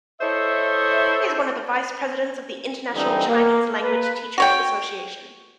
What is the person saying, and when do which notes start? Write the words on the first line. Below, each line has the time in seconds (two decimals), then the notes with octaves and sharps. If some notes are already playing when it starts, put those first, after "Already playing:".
He is one of the vice-presidents of the International Chinese Language Teachers Association.
0.20 E4 A4 C5 C#5 D#5 E5
2.94 D3 E3 G3 G#3 C4 D#4
3.27 A#3
3.82 A#3 B4
4.38 F#4 C#5 G5